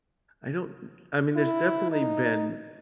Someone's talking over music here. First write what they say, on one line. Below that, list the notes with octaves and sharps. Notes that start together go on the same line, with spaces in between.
I don't I mean, there's definitely been
E4
D#4